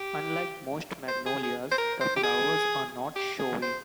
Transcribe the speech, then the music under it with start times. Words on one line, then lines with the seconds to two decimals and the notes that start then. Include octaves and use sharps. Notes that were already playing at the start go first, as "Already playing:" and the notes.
Unlike most magnolias, the flowers are not showy.
Already playing: G4
1.08 C5
1.26 G#4
1.43 G#4
1.71 C5
1.78 A#4
2.01 C5
2.16 G4
2.23 G#4
3.16 G4
3.39 G#4
3.62 C5